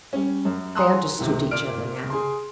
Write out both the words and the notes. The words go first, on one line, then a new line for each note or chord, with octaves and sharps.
They understood each other now.
G3 C#4
F#2
G#5 A#5 C6 D#6 E6 F#6
C#2 C3 D#3
A#2 D5 F6 D7
G#4 C6